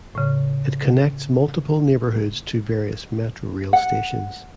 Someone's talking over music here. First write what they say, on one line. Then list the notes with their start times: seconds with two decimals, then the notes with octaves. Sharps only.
It connects multiple neighborhoods to various Metrorail stations.
0.15 A2 C#3
3.73 F#5